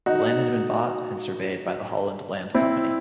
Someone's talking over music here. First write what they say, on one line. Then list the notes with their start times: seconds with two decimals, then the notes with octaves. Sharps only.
The land had been bought and surveyed by the Holland Land Company.
0.06 D#4 F#4
2.54 C4 E4